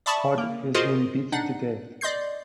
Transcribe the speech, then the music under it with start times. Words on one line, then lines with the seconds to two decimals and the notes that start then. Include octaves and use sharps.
Todd is nearly beaten to death.
0.06 D5 E5 A5 B5 C#6 D#6
0.38 A#3
0.74 F4 F#4 G#4 A#4 C5 D#5
1.32 D4 D#4 F#5
2.01 D5 D#5 C6 G6 C7